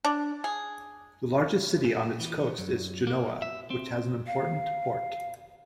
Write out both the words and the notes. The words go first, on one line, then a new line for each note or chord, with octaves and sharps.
The largest city on its coast is Genoa, which has an important port.
D4
G#4
A#2
E3
F#2
A#3
E5
C4
F5